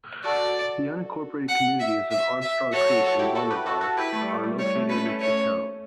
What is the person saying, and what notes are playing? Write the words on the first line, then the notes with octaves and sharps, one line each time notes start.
The unincorporated communities of Armstrong Creek and Bonneval are located with the town.
F#4 A4 D5
F#5
E5
E5
E5
F#4 A4 C#5
F#4 A4
F#4 A4
E4 G4
F#4 A4
G4 B4
F#4 A4
F#4 A4
E4 G4 B4
A3
G3
A3
G3
G3 C#5
A3
A3 C#4 B4
A3 C#4
A3 C#4 C#5